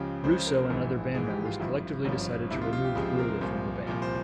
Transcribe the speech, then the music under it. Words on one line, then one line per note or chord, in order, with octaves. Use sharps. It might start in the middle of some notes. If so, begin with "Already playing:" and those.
Russo and other band members collectively decided to remove Brewer from the band.
Already playing: C#2 C#3 F3 G4
C#2 C#3 F3 C5
A#4
A#1 G#2 E3
A#1 G#2 E3 G#4
G4
F4
G#1 G2 F3 E4
G#1 G2 F3 C#4
C#2 C3 F3 E4
F4
F4
G4
C#2 C3 F3 G#4
A#4
C2 A#2 F3 C5
C2 A#2 F3
C5